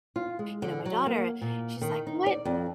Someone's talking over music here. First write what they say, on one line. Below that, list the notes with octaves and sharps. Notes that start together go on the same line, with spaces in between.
you know, my daughter." She's, like, "What?
F4
G#3
D3
F#3
A#3
A#2
D#3
D#4
D5
F2